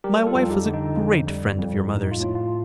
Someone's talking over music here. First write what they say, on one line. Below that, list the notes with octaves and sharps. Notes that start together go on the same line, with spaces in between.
My wife was a great friend of your mother's.
G3 G4 A#4
F4 A4
F2
D#4 G4
D3
D#4
F2
G3
F2
A2 D#4
F4
A2
F4